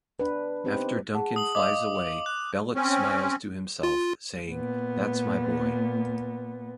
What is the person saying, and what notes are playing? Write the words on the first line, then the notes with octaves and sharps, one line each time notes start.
After Duncan flies away, Belloc smiles to himself, saying, "That's my boy".
D4 B4
B3 C4 D#4 G4 B4 C5
G#4 F#5 A5
D#6 F#7
D#5 F5 D6
F#6
C4 C#4
F4
A#2 B3